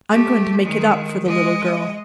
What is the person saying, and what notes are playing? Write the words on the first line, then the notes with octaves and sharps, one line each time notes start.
I'm going to make it up for the little girl.
A3 G4
D#3 G#3
G#3 D#5